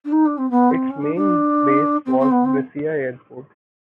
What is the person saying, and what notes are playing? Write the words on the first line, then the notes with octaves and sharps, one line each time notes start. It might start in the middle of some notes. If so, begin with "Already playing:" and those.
Its main base was Brescia Airport.
D4
D#4
D4
C4
B3
C4
C#4
D4
D4
C4
C4
B3
C4